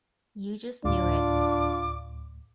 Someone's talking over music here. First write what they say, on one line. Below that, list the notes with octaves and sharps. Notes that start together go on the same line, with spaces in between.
You just knew it.
D2 A2 D4 F4 D6